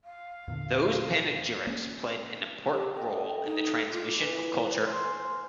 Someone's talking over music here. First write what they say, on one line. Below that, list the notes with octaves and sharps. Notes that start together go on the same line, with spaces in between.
Those panegyrics played an important role in the transmission of culture.
F5
E2 A#2 D3
A#3 C#4
G4
A4 D#5 G5
D#4
F4 D6
E3 B4
C5 F5 G#5